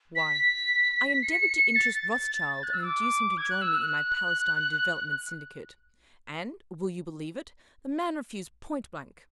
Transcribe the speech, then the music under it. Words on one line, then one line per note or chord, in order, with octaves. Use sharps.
Why, I endeavoured to interest Rothschild and induce him to join me in my Palestine Development Syndicate, and, will you believe it, the man refused point blank.
B6
C#7
A6
F#6
E6
D6
G#6
F#6
E6
F#6